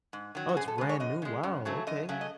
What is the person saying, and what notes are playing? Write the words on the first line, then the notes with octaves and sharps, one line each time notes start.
Oh, it's brand new, wow, okay.
G#2
D#3 F#3
F#4
F#2 G#4
A4
C#3 G#3 B4
C#5
F#2 D#5
C#3 G#3
F#2
C#3 F#3 A3
F#2 D#5
C#3 F#3 A3
D#5